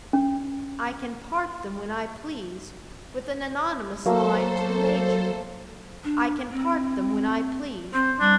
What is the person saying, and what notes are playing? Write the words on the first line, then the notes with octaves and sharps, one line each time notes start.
I can part them when I please; with an anonymous line to the major, I can part them when I please!
C#4
F#3 A3 A#3 A4 C5
D4
C4
C4 C5
G3 D4